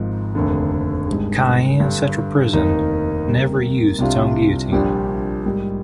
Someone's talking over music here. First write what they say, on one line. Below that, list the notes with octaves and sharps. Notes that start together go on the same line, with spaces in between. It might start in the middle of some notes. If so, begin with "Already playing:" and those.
Cayenne Central Prison never used its own guillotine.
Already playing: G#1 G#2 F3
F1 D#2 D3
G#1 G#2 G3 D4 G#4
G2 D3 G3
F1 D#2 D#3 A#3 D#4
C3 G3 A#3
C2 C3 G3 D4 F4
A#1 A#2 G3 D4 G4
G#2 G3 A#3